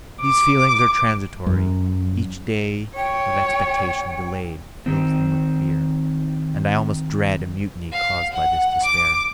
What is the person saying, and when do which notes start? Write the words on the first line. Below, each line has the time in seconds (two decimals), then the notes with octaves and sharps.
These feelings are transitory; each day of expectation delayed fills them with fear, and I almost dread a mutiny caused by this despair.
0.24 D6
1.46 F#2
2.96 C#5 G5
4.86 D#3 C4
7.92 F5
8.33 F#5
8.83 D6